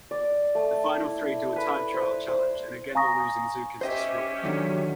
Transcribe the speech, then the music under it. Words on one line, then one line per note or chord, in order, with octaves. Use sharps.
The final three do a time-trial challenge, and again the losing zook is destroyed.
D5
A3
E4
B4
C5
C5
F5 G#5 A#5 C#6 D#6 A#6
C#4 G4 C5 D#5 E5 G5
E2 D3 D#3 F#3